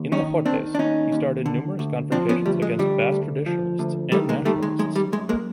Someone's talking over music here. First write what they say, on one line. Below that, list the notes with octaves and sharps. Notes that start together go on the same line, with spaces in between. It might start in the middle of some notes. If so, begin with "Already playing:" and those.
In the Cortes he starred in numerous confrontations against Basque traditionalists and nationalists.
Already playing: D#2
D#3 C#4 D#4
D#3 C4 D4
D4
D#2 C#4 D#4
D#2
D3
D2
F3 C4 D4
B3 C#4
D2 G3
G#3
D3 G3
D2
F3
D2
D#3 G3 A3
G#3 A#3
D#3 G3 A3
G#3
F#2 G#3
G3
F#2 G#3
G#3 A#3